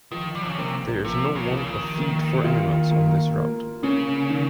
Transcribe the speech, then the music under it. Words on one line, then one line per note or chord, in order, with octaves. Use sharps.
There is no want of feed for animals on this route.
D#3 F3
G3
C#3
C3 A#3
C3 F3
C#3
F3
C#3
D#3
A#3
F4
A#3
A#3
C#3 C#4
D#3